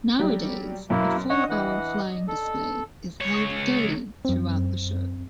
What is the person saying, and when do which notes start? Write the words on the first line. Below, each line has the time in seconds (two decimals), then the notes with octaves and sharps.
Nowadays, a four-hour flying display is held daily throughout the show.
0.19 F#3 G3 G4
0.90 F#2 B2 A#3 E4
1.30 D4 C#5 D#5 F#5
1.50 E3 F#5
2.28 A4
3.21 C#2 C#5
4.25 F#2 C4